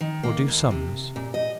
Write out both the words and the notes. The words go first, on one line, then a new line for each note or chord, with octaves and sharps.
"Nor do sums?"
D#3
A#3
D#2
C3
A#2
D#5